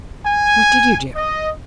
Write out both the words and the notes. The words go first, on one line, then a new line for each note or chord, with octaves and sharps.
"What did you do?"
G#5
D#5